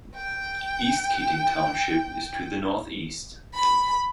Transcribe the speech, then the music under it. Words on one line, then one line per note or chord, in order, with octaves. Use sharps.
East Keating Township is to the northeast.
G5
B5